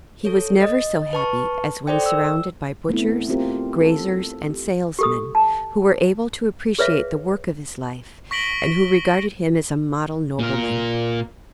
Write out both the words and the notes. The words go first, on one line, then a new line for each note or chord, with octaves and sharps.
He was never so happy as when surrounded by butchers, graziers, and salesmen who were able to appreciate the work of his life, and who regarded him as a model nobleman.
A4 C#5
D#5
B4 A5 C#6
A4 C5 D5 G5
E6
A3 B3 C4 E4
C4 F4 G4 A#4
A4
G4
G4 A4 D#6
A5
G#4 B4 C#5 E5 F5
C#6 A#6 B6 D7 F#7 G7
A#2 A#4